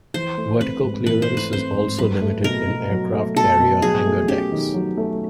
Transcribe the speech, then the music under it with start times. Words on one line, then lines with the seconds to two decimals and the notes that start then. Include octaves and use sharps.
Vertical clearance is also limited in aircraft carrier hangar decks.
0.14 E3 C5
0.38 A3
0.60 C4 B4
0.84 G#2
1.06 E3 B4
1.22 C5
1.30 A3
1.37 B4
1.53 C4 C5
1.75 G#2
1.99 F#3 B4
2.21 A3
2.44 B2 A#4
2.67 B2
2.90 F#3
3.14 A3
3.36 B2 A4
3.60 B2
3.82 F#3 G#4
4.06 A3
4.28 C#4 G4
4.52 D#3
4.74 F#3
4.97 A3